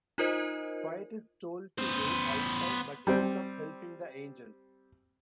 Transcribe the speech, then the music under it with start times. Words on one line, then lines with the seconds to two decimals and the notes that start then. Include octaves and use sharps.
Poet is told to wait outside, but ends up helping the Angels.
0.18 D#4 F4 A#4 C5 D#5
1.78 B3 C5
3.07 G3 C4